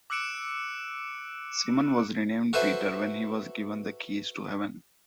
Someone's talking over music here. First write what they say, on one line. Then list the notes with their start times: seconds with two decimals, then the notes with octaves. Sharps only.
Simon was renamed Peter when he was given the Keys to Heaven.
0.10 D6 E6 F#6 C#7 D7 E7
2.53 F#4 A4 B4 C5 E5